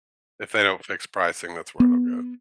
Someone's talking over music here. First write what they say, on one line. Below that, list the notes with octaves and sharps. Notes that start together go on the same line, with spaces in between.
If they don't fix pricing, that's where it'll go.
B3